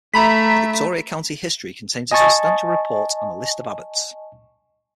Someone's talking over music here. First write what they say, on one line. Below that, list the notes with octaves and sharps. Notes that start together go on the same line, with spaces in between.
The Victoria County History contains a substantial report and a list of Abbots.
A3 E5 A#5 B5 B6
D#5 G#5 A5 C#6 A6